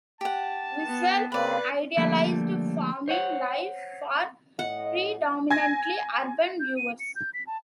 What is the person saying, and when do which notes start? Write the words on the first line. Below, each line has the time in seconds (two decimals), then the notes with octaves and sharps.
Wissel idealised farming life for predominantly urban viewers.
0.21 G4 F#5 A5
0.86 B3
1.32 C#3 A#3 C4 B4 D5 B5
1.97 D3 F3 G3 A3 A#3
3.08 C5 C#5 F#5
4.59 A2 D#5 F#5
5.50 G#5 G#6 A#6
6.60 G6
6.77 D#7
7.00 C#7
7.16 G6
7.34 B6
7.47 A5